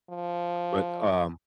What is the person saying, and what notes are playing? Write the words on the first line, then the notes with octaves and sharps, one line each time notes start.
But, um,
F3